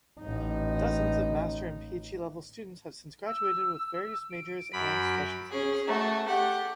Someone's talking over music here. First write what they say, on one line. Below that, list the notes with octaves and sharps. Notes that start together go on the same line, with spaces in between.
Dozens of Master and Ph.D-level students have since graduated with various majors and specialties.
A1 D#4
E6
D7
F#2 B5
C#4 G#4
A3 F#4
G4 F#5